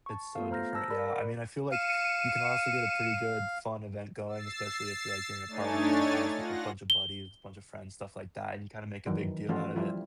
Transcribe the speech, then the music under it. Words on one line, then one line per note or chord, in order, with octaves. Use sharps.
It's so different, yeah. I mean, I feel like you can honestly get a pretty good, fun event going, especially if you're like you're in an apartment or in a house with a bunch of buddies, a bunch of friends, stuff like that, and you kinda make a big deal out of it.
A5 C#6
A3 B3 F4 A4 F5
C5 A#5 F6 G6 A#6
A5 E6 A#6
A#4 D5 B5
F5 C#7 D#7 E7
E6 A6 C7
A3 D4 D#4 C#5 G#5 A6
F4 F#5 A#6
G7
D#3 E3 F#3
E3 F3 A3 C#4 F4 F#4
F3 G3 E4 F4